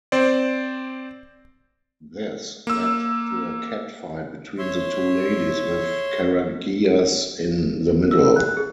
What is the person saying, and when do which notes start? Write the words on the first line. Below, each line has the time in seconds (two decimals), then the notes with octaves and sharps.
This led to a catfight between the two ladies, with Karagias in the middle.
0.12 C4 C5 D5
2.67 A#3 E6
4.58 C#5 E5 C6
8.11 E6
8.36 F#6
8.57 G#4